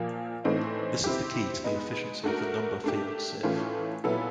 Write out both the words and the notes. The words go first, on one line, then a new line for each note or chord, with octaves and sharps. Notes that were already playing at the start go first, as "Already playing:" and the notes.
This is the key to the efficiency of the number field sieve.
Already playing: A#2 F3 A#3
A2 E3 A3 C4 D#4
C4 E4 G4
G#3 B3 D#4
A3 D4 F#4 A#4
A3 D4 G4
A2 E3 A3 C#4 F4
A#2 F#3 B3 E4 A4